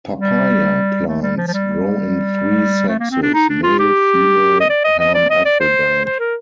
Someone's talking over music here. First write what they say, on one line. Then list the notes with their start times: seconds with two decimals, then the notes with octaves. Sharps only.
Papaya plants grow in three sexes: male, female, hermaphrodite.
0.16 G3
1.07 A3
1.22 G3
1.37 F3
1.48 F3
1.53 G3
2.88 A3
3.00 A#3
3.11 C4
3.22 D4
3.34 D#4
3.49 D4
3.63 F4
3.79 G4
4.60 D#5
4.69 D5
4.84 D#5
4.99 D#5
5.14 D5
5.30 D#5
5.45 D5
5.60 C5
6.05 C5
6.19 A#4